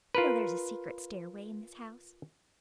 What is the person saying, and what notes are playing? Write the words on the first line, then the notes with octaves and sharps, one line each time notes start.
You know there's a secret stairway in this house.
F4 A#4 B4